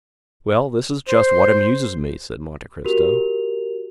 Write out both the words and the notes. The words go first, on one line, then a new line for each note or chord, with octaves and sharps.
"Well, this is just what amuses me," said Monte Cristo.
C5
F#4 G4 A#4 F7